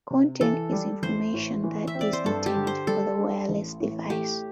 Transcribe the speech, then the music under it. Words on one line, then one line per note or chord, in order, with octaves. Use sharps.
Content is information that is intended for the wireless device.
C3
E3 A4
G3
A1 C5
A2
E3
E5
C4
D5
C5
G2 A4
G4
D3
C5
G3 A4
D4
A1
A2
A3 G4